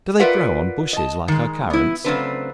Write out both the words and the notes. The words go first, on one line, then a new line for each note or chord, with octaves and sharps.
Do they grow on bushes like our Currants?
F4 A#4 B4 D5 E5 F#5
D#5 A5
D#3 G#3
B3 E4
C#3 F#3 A3 C4 D4 B4